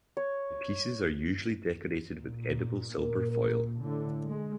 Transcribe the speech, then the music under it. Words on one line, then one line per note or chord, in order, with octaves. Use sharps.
The pieces are usually decorated with edible silver foil.
C#5
A#2
A#4
A#4
A2 D3
G#3